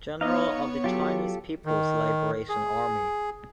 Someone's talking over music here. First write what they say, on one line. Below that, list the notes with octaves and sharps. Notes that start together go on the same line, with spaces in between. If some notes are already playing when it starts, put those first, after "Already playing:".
General of the Chinese People’s Liberation Army.
B3 D#4 C#5 D#5 F5
F#3 F4 G4 A4
D#3
G#4